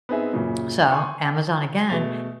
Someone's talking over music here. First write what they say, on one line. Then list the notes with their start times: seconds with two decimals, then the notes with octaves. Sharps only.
So, Amazon again.
0.09 B3 C4 D#4 G#4 E5
0.33 F#2 A#2 C#3
0.90 G#5 C6 C#6 G6
1.25 G5
1.89 B2 A3 G#4 A6 F7